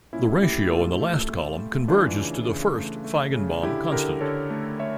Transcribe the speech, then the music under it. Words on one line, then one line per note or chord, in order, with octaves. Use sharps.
The ratio in the last column converges to the first Feigenbaum constant.
A#2 C#4 E4
A3 E4 G4
G4
A#2 F4 A4
A3
A3
A3
E3 D4 F4
C#3
C#3
A3
A3
C#3
D3 E4 G4
D3 G4 A#4
D3 A4 C#5
A3
A3 C#5 E5